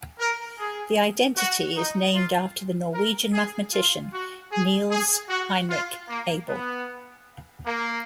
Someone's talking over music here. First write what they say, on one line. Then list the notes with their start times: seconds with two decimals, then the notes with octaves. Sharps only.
The identity is named after the Norwegian mathematician Niels Henrik Abel.
0.19 A#4
0.58 G#4
1.37 F#4
1.77 D#4
2.16 F4
2.94 A#4
3.33 G#4
3.73 F4
4.12 F#4
4.52 G#4
4.91 G#4
5.30 F#4
5.70 F4
6.08 A#3
6.48 B3
7.66 A#3